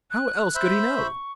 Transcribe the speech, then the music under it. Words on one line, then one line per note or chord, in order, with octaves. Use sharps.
How else could he know?
F#6
C5 E5 B5
C#6